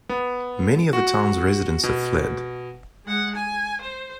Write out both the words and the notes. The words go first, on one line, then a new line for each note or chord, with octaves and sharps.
Many of the town's residents have fled.
B3
F#4
B2
G#3 F#5
G#5
C5